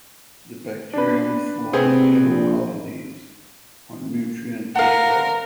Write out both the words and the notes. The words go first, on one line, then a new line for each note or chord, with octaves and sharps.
The bacterium forms yellow colonies on nutrient agar.
D4 B4
C3 B3 C4 G#4
A#1
A#4 F5 F#5